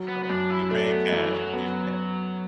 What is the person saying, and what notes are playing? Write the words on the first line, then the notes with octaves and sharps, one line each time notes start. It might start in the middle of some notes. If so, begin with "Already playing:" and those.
So, you're paying cash for your pet.
Already playing: F#3
B3
B3
F#2 D4
E4
A3 D4
B3
F#2 E3
F#3
B3